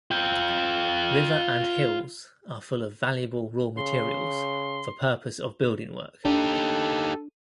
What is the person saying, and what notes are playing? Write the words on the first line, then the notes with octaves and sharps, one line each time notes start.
River and hills are full of valuable raw materials for purpose of building work.
F4 G5
C#3 C6
D4 D#4 G4 A4